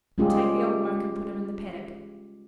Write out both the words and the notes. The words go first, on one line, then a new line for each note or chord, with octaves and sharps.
I'll take the old moke and put him in the paddock.
G3 G#3 C#4 F4 G4 G#4